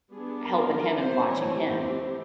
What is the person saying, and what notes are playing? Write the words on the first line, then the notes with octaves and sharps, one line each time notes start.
helping him and watching him.
G3 B3 D4 G#4
A#4
A#4
C5
E3 A3 C4 C#5
G4